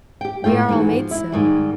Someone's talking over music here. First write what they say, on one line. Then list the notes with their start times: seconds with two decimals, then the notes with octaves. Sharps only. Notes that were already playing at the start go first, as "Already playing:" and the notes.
We are all made so.
0.21 G4 G5
0.44 A2 A3 F4 G5
0.69 G#2 E3 F#4
0.93 F3
1.11 E4
1.32 G#2 D#3 G3